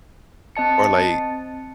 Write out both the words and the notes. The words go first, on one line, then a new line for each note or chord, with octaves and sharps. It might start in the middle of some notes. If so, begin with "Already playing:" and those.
or, like,
C4 D#5 A5 C#7